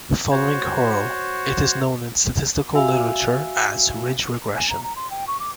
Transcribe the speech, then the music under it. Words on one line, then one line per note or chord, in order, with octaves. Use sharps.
Following Hoerl, it is known in the statistical literature as ridge regression.
F#4 C5 C#5
F#4 E5 F5 G#5 E6 F7
G#5
A#5
A#5
C6
G5
C#6
D6